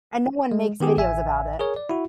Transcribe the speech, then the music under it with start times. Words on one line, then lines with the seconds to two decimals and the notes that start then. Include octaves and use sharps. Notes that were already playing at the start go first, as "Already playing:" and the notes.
And no one makes videos about it.
0.51 G#3
0.80 D#3 B3 G4 G#4
0.97 A1 E5 G#5
1.59 G#4 A#4 C#5
1.76 D5
1.89 E4 F#4